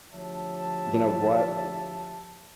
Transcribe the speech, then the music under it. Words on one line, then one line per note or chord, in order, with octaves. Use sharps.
You know, what wh
D2 F3 G4 C#5 E5 A5